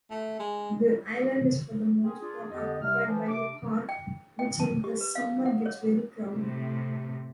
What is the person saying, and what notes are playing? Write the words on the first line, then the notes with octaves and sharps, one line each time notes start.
The island is for the most part occupied by a park which in the summer gets very crowded.
A3
G#3
C4 C#4 G#4
D4 F4 G#4
F2 D3 B3 D4 G4 D#5
C2 C3 F6
E3 F3
C3 A3 D4 D6
G5
G5
A5
G4
B4
F5
F#5
C#5
A2 C3